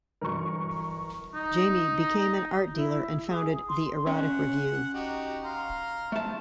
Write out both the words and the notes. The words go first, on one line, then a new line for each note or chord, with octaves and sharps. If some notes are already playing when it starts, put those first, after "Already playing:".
Jamie became an art dealer and founded the "Erotic Review".
G1 E3 F#3 A#4 C#6
D#4
E4
G#4
C6
C#4 F#5
D#4 F#4 G4
F5 A#5 C6
A3 A5